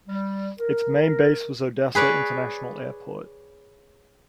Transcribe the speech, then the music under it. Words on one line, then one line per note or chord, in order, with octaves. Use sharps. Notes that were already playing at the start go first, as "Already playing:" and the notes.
Its main base was Odessa International Airport.
G3
A#4
G#4 B4 C#5 D5